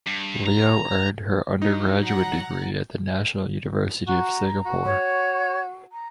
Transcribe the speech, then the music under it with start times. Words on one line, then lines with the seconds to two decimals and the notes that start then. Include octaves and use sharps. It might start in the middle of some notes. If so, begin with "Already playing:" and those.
Leo earned her undergraduate degree at the National University of Singapore.
0.07 G2
0.46 A#5
1.62 F#3 D#4
2.04 F#5 A#5
4.08 F#4 A#5
4.66 F#4
4.85 C#5
5.92 A#5